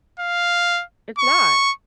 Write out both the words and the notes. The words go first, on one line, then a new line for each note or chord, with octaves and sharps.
It's not,
F5
C#6